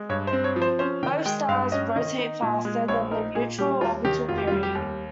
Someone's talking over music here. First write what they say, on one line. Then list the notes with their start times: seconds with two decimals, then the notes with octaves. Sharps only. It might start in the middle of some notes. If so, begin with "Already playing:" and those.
Both stars rotate faster than their mutual orbital period.
Already playing: G#3
0.09 G2 C#5
0.27 C5
0.33 C4
0.44 C#5
0.56 F3
0.62 C5
0.79 C#4 C5
1.03 D#3 G5
1.26 G#3 G5
1.48 G2 F5
1.72 C#4 D#5
1.96 D#3 D#5
2.18 D#4
2.42 A#2
2.65 G#3
2.88 A#1 C#5
3.11 D#4 A#4
3.35 A#2 G#4
3.58 G3 G4
3.81 D#2 F4
4.05 D#3 G4
4.28 F1 F4
4.38 G4
4.47 F4
4.52 G3
4.63 G4
4.75 D#2